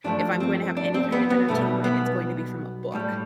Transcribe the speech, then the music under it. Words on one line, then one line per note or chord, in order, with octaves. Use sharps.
If I'm going to have any kind of entertainment, it's going to be from a book,
G2 F3 A3 D4
C4
D4
C4
B3
B3
B1 B2 G3 A3
B3
A2 G3